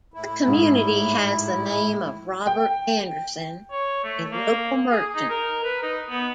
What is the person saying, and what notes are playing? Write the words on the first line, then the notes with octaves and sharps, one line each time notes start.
The community has the name of Robert Anderson, a local merchant.
A2 E4
G#2
G5
C#5
A3
A#3
G#4
D#4
A#4
B4
D#4
B3